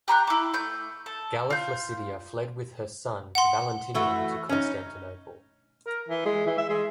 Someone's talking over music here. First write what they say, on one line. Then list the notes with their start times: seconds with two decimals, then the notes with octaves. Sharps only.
Galla Placidia fled with her son Valentinian to Constantinople.
0.08 G4 A#5 C6 F#6
0.27 E4 D6
0.54 A3 G6
1.06 A4
1.50 F4 G6
3.35 F#5 C6
3.94 E3 A3 F#4
4.49 C#4 D#4
5.86 A#4
6.09 E3
6.26 G#3
6.47 E3
6.58 E5
6.70 G#3